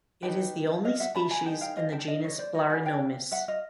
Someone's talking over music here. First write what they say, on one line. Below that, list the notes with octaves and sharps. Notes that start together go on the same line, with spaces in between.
It is the only species in the genus Blarinomys.
D#4 G4 B4 G5 A5
D#5 F5
E5 F#5
A5 B5
G#5 A#5
D#4 G#4 B4 G5 A5
F5 G5
D#5 F5
G5 A5
D#5 F5
C#5 D#5
C5 D5
C#5 D#5
D4 G4 B4 F#5 G#5
F5 G5
E5 F#5
D#5 F5